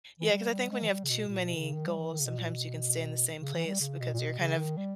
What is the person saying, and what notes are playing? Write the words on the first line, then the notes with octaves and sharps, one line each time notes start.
Yeah, 'cause I think when you have too many goals, sometimes you can stay in the same place because you're kind of
E3
G3
G3
G#3
E3
G3
C#3
B2
A#2
B2
D#3
C#3
D#3
G3
E3
D#3
C#3
B2
A#2
B2
C#3
E3
G3
C#3
B2
A#2
B2
C#3
D#3
G3